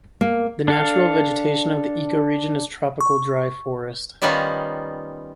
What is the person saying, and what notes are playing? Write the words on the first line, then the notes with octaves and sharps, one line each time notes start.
The natural vegetation of the ecoregion is tropical dry forest.
A#3
D4 A4 F5
C#6
D#3 G3 B3 C#4 D#4 F4